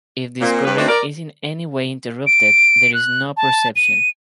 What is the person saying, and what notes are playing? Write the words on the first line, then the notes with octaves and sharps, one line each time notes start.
If this current is in any way interrupted, there is no perception.
A#2 C4
G2 G4 B4
A3 C4 D4 D#4 F#4 B4
A#4 D5
D7
F#6
A5
D#7